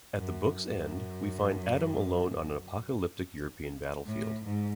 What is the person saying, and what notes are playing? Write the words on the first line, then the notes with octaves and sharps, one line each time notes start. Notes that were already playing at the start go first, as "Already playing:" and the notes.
At the book's end, we find Adam alone on an apocalyptic European battlefield.
F#2
F#2
A2
G#2